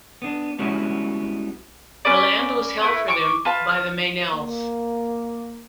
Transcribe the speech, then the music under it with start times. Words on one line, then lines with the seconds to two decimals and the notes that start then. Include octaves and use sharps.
The land was held for them by the Meynells.
0.22 B3 D4
0.59 G3 G#3 B3 C#4 E4 F#4
2.05 C#4 B4 D5
2.81 A3 E4 B4
3.08 C#6 D6
3.45 F4 B4 A5
3.69 F6
4.34 A#3